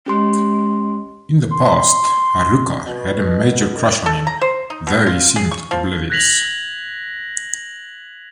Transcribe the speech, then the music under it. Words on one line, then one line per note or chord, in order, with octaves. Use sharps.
In the past, Haruka had a major crush on him, though he seemed oblivious.
G#3 C#4 G4 C6
C6
B2
D#3
A4
A#5
C5
D#4
B2
F4
G#4
C#6
F3
F#6 G#6 A#6 B6 F7 F#7